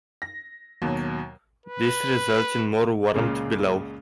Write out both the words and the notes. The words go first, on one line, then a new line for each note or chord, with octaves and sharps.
This results in more warmth below.
A#6
D#2 B2 F#3
B4
C#2 A#2 C#3